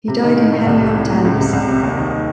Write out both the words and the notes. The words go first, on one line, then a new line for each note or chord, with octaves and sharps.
He died in Henley-on-Thames.
C3
D#3
A2
A3
C2
C3
A2
F#3
C#2
C3
C2
C3
D#2
D#3